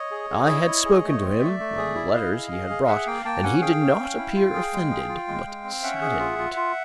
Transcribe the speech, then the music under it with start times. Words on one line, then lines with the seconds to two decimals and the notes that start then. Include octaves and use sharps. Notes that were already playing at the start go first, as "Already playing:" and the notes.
I had spoken to him of the letters he had brought, and he did not appear offended, but saddened.
Already playing: C#5 D#5
0.11 G#4
0.30 G#4
0.48 E4
0.67 E4
0.85 G#4
1.04 A3
1.22 C4
1.40 A3 D5 E5
1.59 A3
1.77 G#4
1.95 E4
2.14 E4 D#5 F5
2.32 G#4
2.52 G#4
2.70 G#4
2.88 G#4 E5 F#5
3.07 A#3 F5 G5
3.25 A#3 G5 A5
3.43 C#4 F#5 G#5
3.62 G#4 F5 G5
3.81 C#4
3.99 C#4
4.18 E4
4.36 F4
4.54 G#4
4.73 G#3
4.91 G#4
5.09 F4
5.28 G#3
5.46 G#3
5.64 C4
5.83 C#4 E5 F#5
6.01 G#4
6.19 F4
6.39 F4
6.56 F4